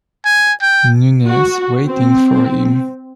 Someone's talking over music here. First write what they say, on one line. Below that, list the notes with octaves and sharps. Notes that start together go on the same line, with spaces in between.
Nunez waiting for him.
G#5
G5
F#4
C4